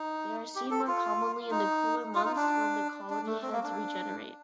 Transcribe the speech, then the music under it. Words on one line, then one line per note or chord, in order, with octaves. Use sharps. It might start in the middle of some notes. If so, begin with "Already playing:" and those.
They are seen more commonly in the cooler months when the colony heads regenerate.
Already playing: D#4
G4
A4
F4
D#4
F4
D#4
D4
D4
A3
C4
A#3
D4